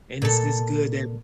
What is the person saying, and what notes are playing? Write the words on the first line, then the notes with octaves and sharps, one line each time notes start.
And it's just good that
A#2 A4